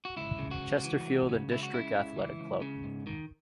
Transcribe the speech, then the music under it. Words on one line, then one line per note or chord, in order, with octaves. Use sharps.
Chesterfield and District Athletic Club.
F#4
C#2 E4
C#3
F#4
C#2
E3
C#2
C#3
C#2 E4
F#4
C#3 E4
C#2
E3
C#2
C#3
G#2
D#3